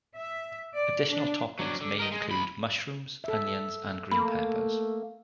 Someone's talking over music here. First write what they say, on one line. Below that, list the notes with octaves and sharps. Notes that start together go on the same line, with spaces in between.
Additional toppings may include mushrooms, onions, and green peppers.
E5
D5
D4
F#3 D4
D3
A#4 D#5
G#3
C2 B5
A4 E5
A3 A#3 B5